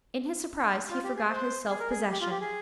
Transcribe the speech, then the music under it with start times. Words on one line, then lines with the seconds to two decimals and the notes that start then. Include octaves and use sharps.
In his surprise he forgot his self-possession.
0.90 F4
1.04 G4
1.16 G#4
1.30 C5
1.70 G#4
1.80 A#4
1.90 G#4
2.11 G4
2.21 F4
2.31 G4
2.41 G#4